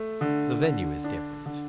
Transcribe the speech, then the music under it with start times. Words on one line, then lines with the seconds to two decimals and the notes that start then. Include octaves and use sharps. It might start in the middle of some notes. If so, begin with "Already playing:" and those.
The venue is different.
Already playing: A3
0.21 D3
0.63 D3
1.04 D4
1.46 D3